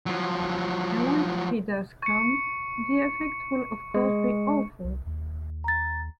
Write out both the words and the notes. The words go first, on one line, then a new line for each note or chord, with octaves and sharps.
And when he does come, the effect will of course be - awful.
F3 F#3
C#6 C#7
G#3
C2
D#2
A#5 A6